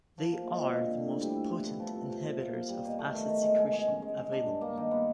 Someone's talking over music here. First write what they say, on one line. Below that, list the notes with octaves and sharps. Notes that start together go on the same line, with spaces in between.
They are the most potent inhibitors of acid secretion available.
F3
A#3
G#3
C4
D3
D3
A2
G3
E4
B3
A3
F3
C3
C3
A#2
A#2
A#3
G3
B2
A3
D#3
D#3
G#3
G#3
G#3
C#4
G#3
G#3
D4
G2
A#3
D#3
B3